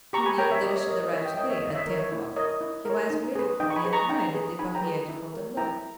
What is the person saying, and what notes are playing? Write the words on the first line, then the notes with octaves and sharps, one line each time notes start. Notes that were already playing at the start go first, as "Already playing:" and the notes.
He knew, that I should arrive to-day at ten o'clock; he was waiting for me at nine at the Barriere de Fontainebleau.
G4 A#5 C#6
G#5 B5
A#4 C#5 G5 A#5
C#5 E5
G4 D#5
C#5
A#4 C#5 D#5
D#5
E4 C#5 E5
D#5 G5
A#4 C#5 D#5 G5
C#5 E5
E4 D#5
C#5 E5
A#4 C#5
C#5
E4
A#4 C#5 D#5
E4
A#4 C#5
D#4
G#4 B4
D#4 D#5 G5
C#6
G#5 B5
G#4 B4
A#5 C#6
D#4 G5 A#5
G#4 B4
D#4 G#5 B5
G5 A#5
G#4 B4
E4
A#4 C#5
E4 G5 A#5